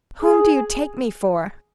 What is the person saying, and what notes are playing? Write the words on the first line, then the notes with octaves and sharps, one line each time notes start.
Whom do you take me for?
G#4